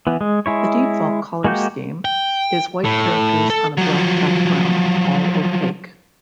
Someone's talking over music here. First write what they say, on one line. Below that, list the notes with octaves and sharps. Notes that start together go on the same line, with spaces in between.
The default color scheme is white characters on a black background, all opaque.
E3 B3
G#3
G#3 E4 C#5
G#3 A#3 F#4 G4 G6
G5
A2
A4
F3 F#3